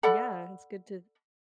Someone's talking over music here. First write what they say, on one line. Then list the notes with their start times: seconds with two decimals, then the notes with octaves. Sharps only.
Yeah, it's good to
0.03 A4 D5 F#5 B5